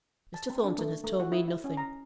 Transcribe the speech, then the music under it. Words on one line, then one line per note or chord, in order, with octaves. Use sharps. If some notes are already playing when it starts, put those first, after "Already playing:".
Mr. Thornton has told me nothing.
A5
C4
D4
A3
A3
F#4
E4
E4
C#4
A#5